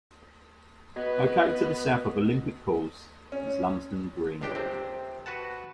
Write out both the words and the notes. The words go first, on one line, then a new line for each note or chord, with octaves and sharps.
Located to the south of the Olympic Pools is Lumsden Green.
B3 F#4 B4 D#5 G#6
C#4
G1 C#2 D4 G4 G5
C3 C4
F#4 B4 F#5 A5